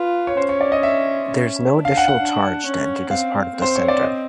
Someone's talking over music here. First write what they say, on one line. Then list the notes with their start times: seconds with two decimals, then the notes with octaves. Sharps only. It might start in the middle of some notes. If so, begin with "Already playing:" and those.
There is no additional charge to enter this part of the centre.
Already playing: F4 B4
0.27 C#5
0.37 C#4 C5
0.49 C#5
0.61 D5
0.72 D#5
0.83 E5
1.28 C#4
1.74 D4
1.85 F5
1.97 F#5
2.08 F#5
2.19 D4
2.66 C#4
3.10 C4 F5
3.56 C4
3.62 C5
3.76 C#5
3.88 D5
4.02 D#5